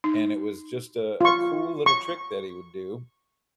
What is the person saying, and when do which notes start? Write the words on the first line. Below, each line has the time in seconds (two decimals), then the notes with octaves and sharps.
and it was just a a cool little trick that he would do,
0.04 D#4
1.21 F4 C#6
1.86 C#6